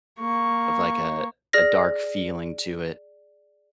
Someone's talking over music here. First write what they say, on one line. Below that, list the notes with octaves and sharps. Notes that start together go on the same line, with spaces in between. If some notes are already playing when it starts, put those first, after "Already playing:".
of like a a dark feeling to it.
A#3 C#6
G#4 D5 F6 A#6